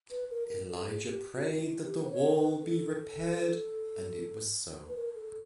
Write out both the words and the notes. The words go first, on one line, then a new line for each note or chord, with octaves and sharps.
Elijah prayed that the wall be repaired and it was so.
B4
A#4
A#4
A4
G#4
G4
F#4
E4
G4
C5
C#5
B4
A4
A4
B4
A#4
A4
A4